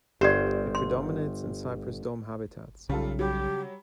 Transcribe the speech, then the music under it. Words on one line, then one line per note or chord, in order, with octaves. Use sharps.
It predominates in cypress dome habitats.
G1 G4 C5 D5
C6
B1 C#3 G3 F4 A4
F#3 G3 G4